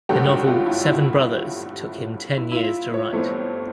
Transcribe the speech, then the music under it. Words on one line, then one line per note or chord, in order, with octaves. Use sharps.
The novel "Seven Brothers" took him ten years to write.
G#1 G2 D3 F#3 A3 G4
F#4
F4
E4
E4
E4
E4
F4
C#5
G1 G2 E3 A3 C4